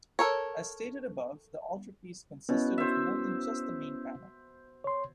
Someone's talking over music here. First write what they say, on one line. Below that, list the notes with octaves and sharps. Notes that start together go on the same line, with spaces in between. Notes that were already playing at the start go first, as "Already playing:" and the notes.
As stated above, the altarpiece consisted of more than just the main panel.
A4 A#4 C#5
B2 B3 C#4 E4
C5 E5
C#5 C6